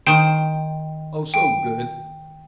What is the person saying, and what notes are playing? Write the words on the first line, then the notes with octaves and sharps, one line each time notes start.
Oh, so good.
D#3 C5 G5
G5